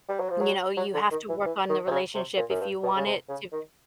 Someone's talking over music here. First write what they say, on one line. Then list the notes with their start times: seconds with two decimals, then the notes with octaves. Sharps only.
You know, you have to work on the relationship if you want it to
0.09 G3
0.20 F#3
0.30 F3
0.41 F#3
0.77 F#3
0.94 D3
1.11 D#3
1.29 E3
1.46 E3
1.69 D#3
1.87 C3
1.91 C#3
2.14 C3
2.37 A#2
2.50 F#2
2.61 G2
2.83 B2
2.96 C#3
3.06 C3
3.29 C#3
3.52 D#3